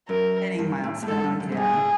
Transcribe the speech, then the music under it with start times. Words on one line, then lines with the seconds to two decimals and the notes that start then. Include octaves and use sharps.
Hitting milestones, yeah.
0.09 F#2 A#4
0.59 G2
0.84 A2
1.03 A2
1.08 G#2 A4
1.24 G2
1.40 F#2
1.52 G#2
1.57 G2 G#4
1.73 A2